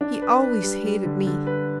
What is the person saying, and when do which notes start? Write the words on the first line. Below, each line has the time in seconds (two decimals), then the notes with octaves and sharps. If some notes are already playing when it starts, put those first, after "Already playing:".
He always hated me.
0.01 D4
0.22 B4
0.42 B4
0.63 G3
0.84 G3
1.05 D3
1.27 D3
1.47 B4